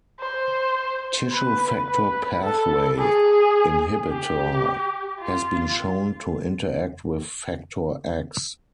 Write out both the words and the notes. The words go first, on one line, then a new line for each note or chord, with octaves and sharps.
Tissue factor pathway inhibitor has been shown to interact with Factor X.
C5
B4
B4
A4
G#4
G4
F4